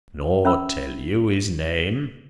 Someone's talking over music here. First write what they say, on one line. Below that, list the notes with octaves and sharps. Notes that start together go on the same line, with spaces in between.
"Nor tell you his name?"
C#4 E5 B5 E6